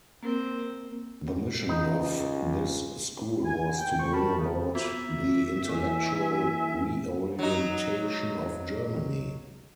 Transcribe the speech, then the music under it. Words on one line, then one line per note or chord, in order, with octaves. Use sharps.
The mission of this school was to bring about the intellectual reorientation of Germany.
A#3 C4 A#4
C#2 D#4
G#5
G5
C5 G5 C#6
F#4 A#4 A5 B5
C#3
B3 F4 F#4 E5
E3 A#3 A4 G#5
F#3 D#4